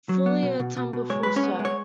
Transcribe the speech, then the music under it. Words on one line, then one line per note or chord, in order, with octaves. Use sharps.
Fully a tumblerful, sir.
F#3
B3
B2
B2
B2
B2
G#3 C#5
G#3 B4
C#4 C#5
B3
G#3
C#5